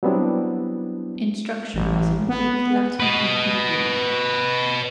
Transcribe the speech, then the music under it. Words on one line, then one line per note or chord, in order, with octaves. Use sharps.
Instruction was in Greek, Latin, and Hebrew.
F#3 G3 B3 C4 D4 E4
A1
B3
B4 D#5